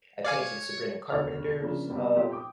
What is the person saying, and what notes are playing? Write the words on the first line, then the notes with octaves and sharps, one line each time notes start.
I painted Sabrina Carpenter's, um,
C#5 D5 F5 G#5
E1 D2 C#5 F6
C#3 F3 A#3 D4
C3 G3 A#3 B3
A3 A#3 C4 F4 G4
G5 D6 D#6